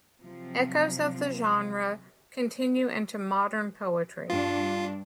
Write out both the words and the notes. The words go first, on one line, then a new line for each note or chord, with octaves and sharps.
Echoes of the genre continue into modern poetry.
C3 F3 F#3 C4
G2 D4 F4